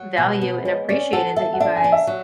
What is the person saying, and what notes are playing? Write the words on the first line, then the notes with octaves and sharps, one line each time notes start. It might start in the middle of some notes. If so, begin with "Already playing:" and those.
value and appreciated that you guys,
Already playing: F#3
B2
B3
G#3 C#5
C#4 D5
A4 F#5
A4 E5
F#5
D4 E5
G#5
D4
E5
F#3